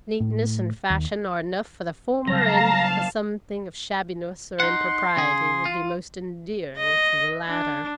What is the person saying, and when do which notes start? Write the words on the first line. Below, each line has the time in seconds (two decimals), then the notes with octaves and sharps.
Neatness and fashion are enough for the former, and a something of shabbiness or impropriety will be most endearing to the latter.
0.20 A2
0.90 D#2
2.28 C#3 F#3 G3 F5 A5 A#5
4.60 D#4 F#5 C6
5.17 C#3 G#4
5.65 F4
6.78 D#5
7.48 D4